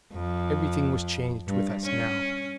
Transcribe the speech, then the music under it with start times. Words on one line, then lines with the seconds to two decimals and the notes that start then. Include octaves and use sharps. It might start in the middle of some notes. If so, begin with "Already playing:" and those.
Everything was changed with us now.
0.13 F2
1.47 G2
1.84 C#4